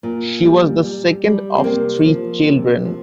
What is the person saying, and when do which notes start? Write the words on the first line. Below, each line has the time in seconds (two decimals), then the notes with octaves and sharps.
She was the second of three children.
0.03 A#2
0.44 G3
0.83 G3
1.24 G3
1.58 C4
1.64 C3 A#3
2.05 F3
2.46 C3
2.85 F3